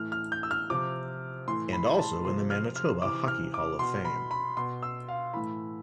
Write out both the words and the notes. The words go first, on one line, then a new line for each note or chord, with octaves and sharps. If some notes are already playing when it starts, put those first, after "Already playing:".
And also in the Manitoba Hockey Hall of Fame.
Already playing: A2 E3 F6
F6
G6
E6
F6
C3 F3 D6
A2 E3 C6
B5
A5
C3 F3 C6
F6
F6
C3 E3 D6
F6
D6
B2 C6
B5
B5
B2 C6
E6
F5
A2 E3 B5